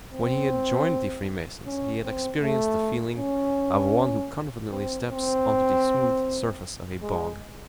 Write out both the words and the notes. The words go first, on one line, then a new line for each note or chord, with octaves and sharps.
When he had joined the Freemasons he had experienced the feeling of one who confidently steps onto the smooth surface of a bog.
C4
C#4
C4
A3
C#4
C4
C4
G#3